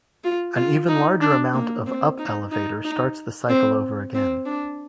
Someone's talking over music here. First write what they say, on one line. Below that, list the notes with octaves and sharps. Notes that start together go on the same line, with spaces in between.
An even larger amount of up elevator starts the cycle over again.
F4
F4
D#4
D4
A#3
C4
D#4
D#4
D#4
C4
C4
D4